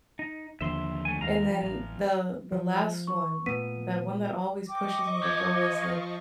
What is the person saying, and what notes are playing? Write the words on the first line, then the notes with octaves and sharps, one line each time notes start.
and then the the last one, that one that always pushes me to go is, like,
D#4
D#2 D3 F3 E5 C6
A3 G#5
D#2 G3 F5 A#5
F3
A1
F3
C#6
A#2 A3 B3 B4 B6 D#7
D#5 G5 C#6 D6
F3 G#6